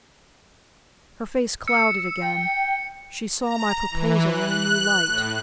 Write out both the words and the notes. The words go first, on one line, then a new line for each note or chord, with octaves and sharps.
Her face clouded again--she saw my proposal in a new light.
E6 C#7
G5
A#5
E3
F#6
A2